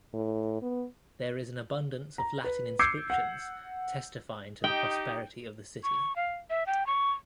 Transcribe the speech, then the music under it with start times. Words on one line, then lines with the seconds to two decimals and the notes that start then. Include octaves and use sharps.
There is an abundance of Latin inscriptions testifying to the prosperity of the city.
0.14 A2
0.62 B3
2.18 A#5
2.44 B4
2.79 D6 E6 G6 G#6 C7 C#7
3.10 F#5
4.64 D#4 G4 D#5 G5
5.83 C#6
6.16 F5
6.50 E5
6.67 G5
6.87 C#6